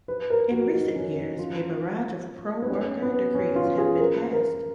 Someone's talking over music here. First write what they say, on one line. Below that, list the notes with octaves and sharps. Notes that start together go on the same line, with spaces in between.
In recent years, a barrage of pro-worker decrees have been passed.
B4
A#4
F#4
D#4
C#4
D#4
F4
B3
C#4
B3
C#4
F4
G#4
A#4
A#4